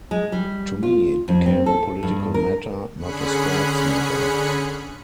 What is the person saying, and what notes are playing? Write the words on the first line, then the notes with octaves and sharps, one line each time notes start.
To me, it became a political matter, not a sports matter.
G#3
G3
F4
F2
C4
A4
G2
A#4
D3 C#4 G#4 B5 F#6 C#7